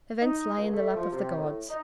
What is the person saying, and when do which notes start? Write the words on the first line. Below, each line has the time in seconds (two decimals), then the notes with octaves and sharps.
Events lay in the lap of the gods.
0.21 D#4
0.57 C#2
0.73 A3
0.96 F3
1.12 C3
1.37 A2
1.70 D#4